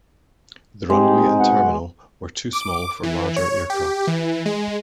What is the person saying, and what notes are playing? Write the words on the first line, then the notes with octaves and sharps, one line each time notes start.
The runway and terminal were too small for larger aircraft.
G#3 C4 D#4 G4
B2 F#5
D6
E3
C#5
G4
E3
G#3